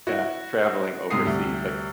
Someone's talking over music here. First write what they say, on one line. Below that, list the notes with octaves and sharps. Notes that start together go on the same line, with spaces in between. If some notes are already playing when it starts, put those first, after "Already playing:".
Yeah, traveling overseas, like
E4 F#4
G#2 C3 G3 G4 D#6 C7
D2 C3 G3